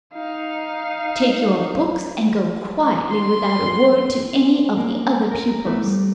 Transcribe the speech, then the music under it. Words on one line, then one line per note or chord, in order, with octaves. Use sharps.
Take your books and go quietly without a word to any of the other pupils.
D#4 F5
C6
A#3
A#4
A3 B3 C4 E4
G3